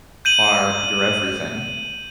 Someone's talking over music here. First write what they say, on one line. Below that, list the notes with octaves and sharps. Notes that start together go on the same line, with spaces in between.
are your everything.
G6 D#7 F#7